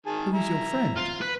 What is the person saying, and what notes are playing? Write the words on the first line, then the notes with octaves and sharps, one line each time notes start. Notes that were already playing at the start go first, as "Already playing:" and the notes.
"Who is your friend?"
D#3 G#4 A5
E4 A#5
F4
B4